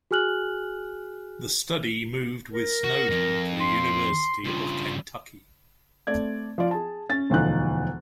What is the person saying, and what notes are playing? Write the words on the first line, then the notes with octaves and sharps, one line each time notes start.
The study moved with Snowdon to the University of Kentucky.
F#4 G#4 G#5 F6 F#6 F#7
A#4
F#4
F2
C6
G2 C#3 F4
A3 C4 D5 G#6
F3 F4 D5
G#4 A5
C#4 A6
E1 D2 F3 D#4 F#6